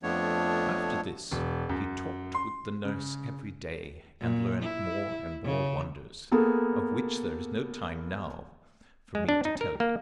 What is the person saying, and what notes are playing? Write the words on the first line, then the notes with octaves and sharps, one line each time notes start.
After this he talked with the nurse every day, and learned more and more wonders, of which there is no time now for me to tell you.
F2 F3 A3 B3 D4 C#5
E1
F#2
C6
C#3
A#2
E4
C#3
A#3 B3 G#4 A4
G#3
D4
D#4
A#4
A#3